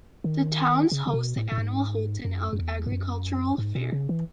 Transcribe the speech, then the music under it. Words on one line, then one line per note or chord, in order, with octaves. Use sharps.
The town hosts the annual Houlton Agricultural Fair.
D#3
C#3
C#3
B2
A2
A2
G#2
F#2
F#2
E2
G#2
F#2
G#2
B2
C#3
E3